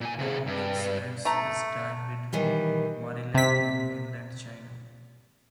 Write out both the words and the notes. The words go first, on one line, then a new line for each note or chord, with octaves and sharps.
Tony Lin spends his time between Maryland and mainland China.
A#2 G#5
C3 G#4
G2
A3 A#5
D#3 E3 G3
C3 B6